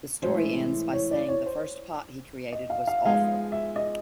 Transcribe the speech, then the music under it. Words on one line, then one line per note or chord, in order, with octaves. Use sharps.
The story ends by saying the first pot he created was 'awful.
A2 E3 G#3 C#4 C5
C#5
D5
C#5
C5
D#5
F5
F5
E5
F3 G#3 B3 D#4 G#4 F5
E5
D#5